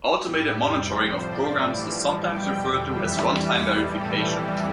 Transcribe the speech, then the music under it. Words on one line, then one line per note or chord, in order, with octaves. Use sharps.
Automated monitoring of programs is sometimes referred to as runtime verification.
A2 G3 G4
F2 C3 G3
A2 F3 C5
G2 F3 D5
A2 E3 G3
G2 F3 A5
B2 G3 G5
E2 D3 G3 G5
F2 E3 G3 E5
G2 E3 G3
E2 B2 G3 C5
A2 E3 G3 A4
F2 E3 G3 C4